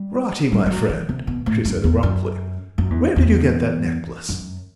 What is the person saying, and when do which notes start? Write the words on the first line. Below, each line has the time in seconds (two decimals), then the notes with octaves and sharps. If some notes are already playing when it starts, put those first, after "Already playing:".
"Bratti, my friend," she said abruptly, "where did you get that necklace?"
Already playing: G3
0.52 G3
0.66 G3
0.71 F#3
0.89 E3
1.09 C3
1.27 B2
1.46 A2
1.65 G2
1.84 E2
2.03 F#2
2.78 F#2
2.90 E2
3.16 E2
4.29 F#2